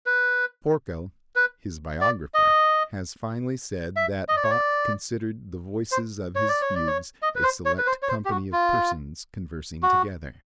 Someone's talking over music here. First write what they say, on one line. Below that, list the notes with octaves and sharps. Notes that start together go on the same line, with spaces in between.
Forkel, his biographer, has finely said that Bach considered the voices of his fugues a select company of persons conversing together.
B4
B4
D5
D#5
E5
D#5
D5
C#5
D5
C5
C#5
D5
C#5
D5
C#5
D#5
B4
C5
C#5
B4
C5
C#5
C5
G4
F#4
F4
F#4